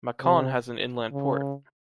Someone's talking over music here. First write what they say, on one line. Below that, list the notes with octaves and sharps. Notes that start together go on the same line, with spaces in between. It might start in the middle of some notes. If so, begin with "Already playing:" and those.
Mâcon has an inland port.
C3
C#3